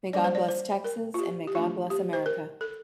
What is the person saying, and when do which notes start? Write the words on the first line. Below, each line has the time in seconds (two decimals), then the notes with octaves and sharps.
May God Bless Texas and May God Bless America.
0.13 G3 A#3 D4 D5
0.24 C5
0.35 D5
0.49 C5
0.84 A#4
1.14 F4
1.19 G4
1.47 G4
1.55 E3 A3 D4 F4
1.90 G4
2.13 C5
2.26 A#4
2.61 A4